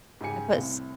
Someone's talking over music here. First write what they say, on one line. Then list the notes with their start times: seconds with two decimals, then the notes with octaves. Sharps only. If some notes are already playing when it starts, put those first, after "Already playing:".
I put s
0.21 G#2 C#3 C#4 G4 G#5 C#7
0.55 C2 A2 C3